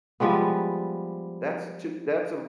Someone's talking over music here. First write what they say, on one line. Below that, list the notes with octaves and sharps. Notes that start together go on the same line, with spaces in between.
that's to that's a
F3 G3 G#3 B3